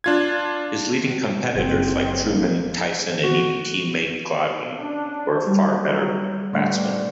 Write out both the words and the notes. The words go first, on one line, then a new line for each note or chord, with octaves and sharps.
His leading competitors like Trueman, Tyson, and even teammate Gladwin were far better batsmen.
D4 F4 G#6
F#1 F#2 C4
A#3
F#4
C#4 D4
D#2 D#3 F#3 G3 G#5
A1 A2 D3 E3 G3